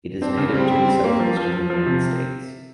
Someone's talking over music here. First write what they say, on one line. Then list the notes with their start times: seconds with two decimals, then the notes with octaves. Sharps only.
It is native to the Southeastern United States.
0.22 C4 D4
0.37 C#3
0.54 G3 C4
0.71 G3
0.88 G3
1.04 A#3
1.20 F3
1.37 F3
1.53 F3
1.70 F3
1.86 C3